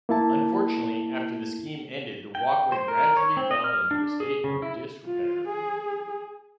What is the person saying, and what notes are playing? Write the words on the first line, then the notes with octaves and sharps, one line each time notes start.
Unfortunately, after the scheme ended the walkway gradually fell into a state of disrepair.
A#3 E4 A5
G5
C5
A#4
C#5
C4
D#5
F6
D4
G#4
C#3
E4
F4
G#4